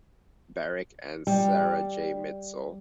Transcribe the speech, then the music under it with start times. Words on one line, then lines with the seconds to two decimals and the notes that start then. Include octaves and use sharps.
Barrick, and Sarah J. Mitzel.
1.27 G3